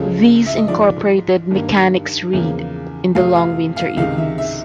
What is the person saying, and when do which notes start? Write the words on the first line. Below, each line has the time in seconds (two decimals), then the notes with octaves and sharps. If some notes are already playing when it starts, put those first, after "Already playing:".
These incorporated mechanics read, in the long winter evenings.
Already playing: C#2 C#3 F3 G#3 A4
0.46 E5
0.57 D#5
0.68 G#2 F3 G#3 D5
1.51 G2 D#3 G3 A#3
2.33 E2 C#3 F3 A#3
3.15 F2 C3 F3 A3 F5
3.35 F5
3.76 F5
3.97 C#2 C3 D#3 G#3 F5
4.18 E5
4.38 E5